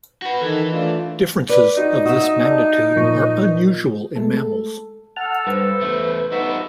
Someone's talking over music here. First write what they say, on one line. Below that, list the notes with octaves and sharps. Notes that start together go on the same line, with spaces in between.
Differences of this magnitude are unusual in mammals.
F#4 B4
D#3 E3 A4
A3 D4 F4
B4 D5
D#4 F#4
F#4 E5 D#6
D5 A5
A#2 F3 C#6
G#3 A3 A4
A4
A4 F#5 A5 F6
G2 B4 C5
E2 A3
D3 F3 G3 D#4 F#4 E5